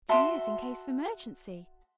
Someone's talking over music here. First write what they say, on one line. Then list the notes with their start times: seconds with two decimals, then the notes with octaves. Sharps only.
"To use in case of emergency."
0.09 F#4 E5 A5 C6